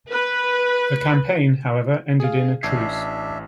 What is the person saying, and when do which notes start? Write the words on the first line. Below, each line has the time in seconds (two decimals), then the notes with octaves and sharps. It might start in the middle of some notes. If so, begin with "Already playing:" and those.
The campaign, however, ended in a truce.
0.11 B4
2.20 G#4 F5
2.63 A1 D4 E5 G#6 C7